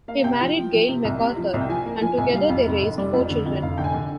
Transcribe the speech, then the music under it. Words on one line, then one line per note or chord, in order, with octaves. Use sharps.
He married Gayle MacArthur and together they raised four children.
A#3 F5
C3 G5
F3
F3
F3
C3
C2
C3
F3
C2
G5
F3 G#5
A#3
F3 G#5
C2 G#5
G3 F5
F2
F1
F1
G3 D5
F2
D3
F2
F1 F5
D3 G5
G#5
D3